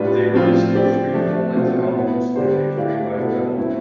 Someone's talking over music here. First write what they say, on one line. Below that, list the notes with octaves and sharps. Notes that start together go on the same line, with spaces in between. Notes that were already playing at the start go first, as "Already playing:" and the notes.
They released three full-length albums and a free live demo.
Already playing: A2 G3 D4 F4 B4
A2 F3 C4 F4
C4 G4 D5
F3 A3 D4
B2 A3 C4 F4
B3 E4 B4
D3 G3 D4 G4 C5
A3 E4 G4 D5 F5
B2 B3 E4 A4
A3 C4 E4